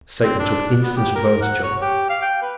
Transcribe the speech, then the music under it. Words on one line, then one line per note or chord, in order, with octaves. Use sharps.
Satan took instant advantage of it.
C4
D4
B3
G4
A#4
F#5
C#5
G4
F5
G5
B4